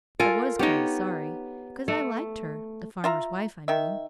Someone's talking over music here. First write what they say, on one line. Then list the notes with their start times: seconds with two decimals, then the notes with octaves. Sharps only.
I was kind of sorry, 'cause I liked her--the farmer's wife, I mean.
0.19 F4 A4 A#4 G#5
0.59 B3 D#4 G4 C#5 G5
1.88 A3
3.04 F4 E5 A#5
3.68 D#3 E5